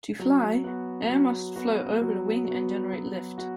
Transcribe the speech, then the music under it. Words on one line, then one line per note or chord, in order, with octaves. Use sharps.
To fly, air must flow over the wing and generate lift.
F#3
B3 F#4
F#3
B3 F#4
F#3
B3 F#4
F#3
B3 F#4